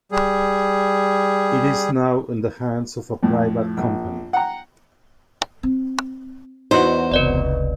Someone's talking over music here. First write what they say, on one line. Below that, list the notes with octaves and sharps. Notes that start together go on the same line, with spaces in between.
It is now in the hands of a private company.
G3 G#4
F2 A2
A#1
F#5 G5 A#5
C4
E2 D#4 E4 F#4 C5
F1 C#2 B4 D5 D#5